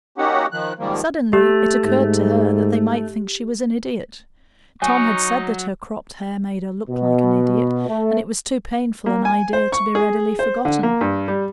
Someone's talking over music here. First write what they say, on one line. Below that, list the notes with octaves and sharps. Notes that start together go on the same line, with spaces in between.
Suddenly it occurred to her that they might think she was an idiot; Tom had said that her cropped hair made her look like an idiot, and it was too painful an idea to be readily forgotten.
A#3 C#4 D#4 F#4 G4 F#5
D#3 F3 F#6
G#2 D#3 F3 G3 A#3
A3 G4
G#2
F#3 D#4 G#5 C#6
B2
A3
A#3
G#5
C5
C#6
G#4
C5
D3
A#3
G2
G3